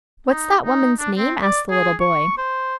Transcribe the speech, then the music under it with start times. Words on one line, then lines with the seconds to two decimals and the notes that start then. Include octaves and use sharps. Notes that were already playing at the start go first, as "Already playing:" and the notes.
"What's that woman's name?" asked the little boy.
0.28 D#4
0.65 D#4
0.99 D4
1.17 C4
1.42 D5
1.70 G#4
2.00 C#6
2.38 C5